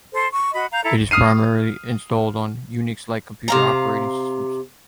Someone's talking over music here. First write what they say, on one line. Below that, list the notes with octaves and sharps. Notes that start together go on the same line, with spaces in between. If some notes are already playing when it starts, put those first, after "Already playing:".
It is primarily installed on Unix-like computer operating systems.
A4 C5 C6
C#6
F#4 D#5 B5
F5 A#5 G6
E4 A4 A#5
D#6 F6 C7 D#7
C3 F5 A#5